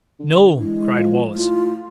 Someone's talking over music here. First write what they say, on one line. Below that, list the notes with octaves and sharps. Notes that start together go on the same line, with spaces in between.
"No," cried Wallace.
D3
E3 G#3
F3
A2 F4